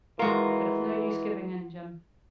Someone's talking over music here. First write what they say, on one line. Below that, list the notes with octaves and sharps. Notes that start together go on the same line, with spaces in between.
But it's no use giving in, Jim.
E3 G#3 F4 F#4 A#4 A#5